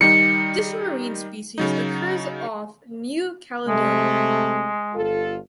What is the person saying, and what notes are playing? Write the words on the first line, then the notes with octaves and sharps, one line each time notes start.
This marine species occurs off New Caledonia.
D#3 G3 D#4 C#7
C#3 F#3 D#4
C3 G#3 A3
G1 F4 A4